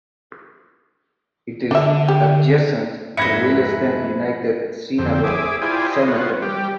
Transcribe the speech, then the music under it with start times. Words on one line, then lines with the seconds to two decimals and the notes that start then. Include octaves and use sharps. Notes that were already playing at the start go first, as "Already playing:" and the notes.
It is adjacent to Willesden United Synagogue Cemetery.
1.71 D3 D4 E5
2.08 G4
3.17 F2 G#2 B4 C5 E5 G#6 A#6 C#7
4.99 F2 D3 C4
5.24 G#4 E5 D6
5.62 E4 F4 G4 C5 D5 G#5
5.93 D#5 C6
6.08 B3 F4 F#4
6.42 G3 G4